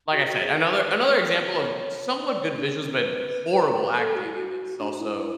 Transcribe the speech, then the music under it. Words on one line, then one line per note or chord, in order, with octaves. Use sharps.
like I said, another another example of somewhat good visuals but horrible acting and it's also
F#4
F#4
G#4
B4
D5
C#5
D5
C#5
D4
C#4
B4
B4
A4
F#4
E4
F#4
D4
E4